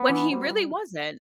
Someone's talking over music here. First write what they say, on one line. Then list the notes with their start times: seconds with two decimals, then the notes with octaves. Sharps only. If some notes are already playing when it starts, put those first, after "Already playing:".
When he really wasn't.
Already playing: B3
0.10 E3
0.31 G3 C4 F#4 C5
0.51 G3